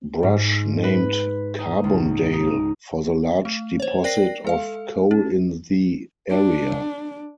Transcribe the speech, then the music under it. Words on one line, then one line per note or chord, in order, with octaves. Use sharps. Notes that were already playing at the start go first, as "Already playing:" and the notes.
Brush named Carbondale for the large deposit of coal in the area.
G#2
B4
D#4
C#2
D#4
A3
C5 C#5
A#4 D5 G5 A#6 C7
G#3 A4 F5
C#4
D4